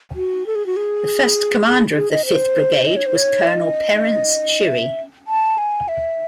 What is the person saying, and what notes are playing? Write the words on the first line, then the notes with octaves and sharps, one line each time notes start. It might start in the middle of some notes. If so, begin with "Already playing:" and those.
The first Commander of the Fifth Brigade was Colonel Perence Shiri.
F#4
A4
G#4
F#4
G#4
G#4
G#4
D#5
C5
D#5
C#5
C5
C#5
D#5
E5
A5
G#5
E5